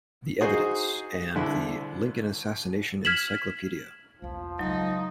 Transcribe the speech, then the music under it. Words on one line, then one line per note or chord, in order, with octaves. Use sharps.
The Evidence, and The Lincoln Assassination Encyclopedia.
D#4 F#4 G#4 C5
C2 D3 E4 C6
F6 G#6 B6 E7 F#7
B1 E2 F3
C#3 F#3 G#3 D#4